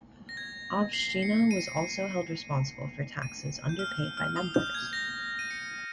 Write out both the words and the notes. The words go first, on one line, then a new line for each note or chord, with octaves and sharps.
Obshchina was also held responsible for taxes underpaid by members.
A#6
G#6
C7
C#7
D#7
D#7
G6
F6
F6
D#6
G6
G#6
A#6
D#7
C#7